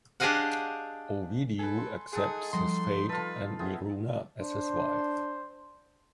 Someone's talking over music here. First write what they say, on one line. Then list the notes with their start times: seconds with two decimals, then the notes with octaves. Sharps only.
Ovidiu accepts his fate and Miruna as his wife.
0.20 D4 G4 G#4 D#5 F5 F#5
1.59 A4 B4 G#5
1.78 C6
2.13 D#4 G#4 A4 F#5
2.53 F3 G3 C6 D#6
3.09 F4 A4 B4
3.59 B3 C4 E4 G#4
4.41 D4 C5